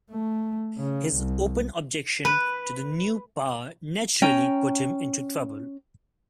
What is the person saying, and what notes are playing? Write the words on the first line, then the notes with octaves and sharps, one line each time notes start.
His open objection to the new power naturally put him into trouble.
A3
C#3
C2
B4
C#4 G5 A#5